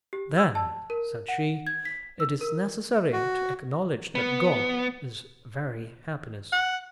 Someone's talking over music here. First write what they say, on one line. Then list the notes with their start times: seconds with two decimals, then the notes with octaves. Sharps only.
'Then,' said she, 'it is necessary to acknowledge that God is very happiness.'
0.13 G4
0.38 E6
0.55 A5
0.90 A#4
1.28 F#5
1.67 G#6
1.85 B6
2.20 E6
2.41 A#4
3.13 F#4
4.15 B3
6.52 F#5